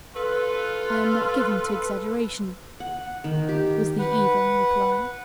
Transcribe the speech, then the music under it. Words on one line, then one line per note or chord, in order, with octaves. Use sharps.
"I am not given to exaggeration," was the even reply.
F4 A4 B4
F#5
D#3
G4
B4 F#5